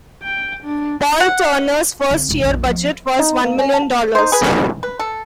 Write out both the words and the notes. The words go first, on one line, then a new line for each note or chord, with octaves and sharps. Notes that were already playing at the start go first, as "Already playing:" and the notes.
Paul Turner's first year budget was one million dollars.
G5
D4
F#5
D3 C4
E1 D#3
A#1 F2
F3 B3
D#4
A#3
C#4
A5
D#4 C5
G#4 B4
B4
A4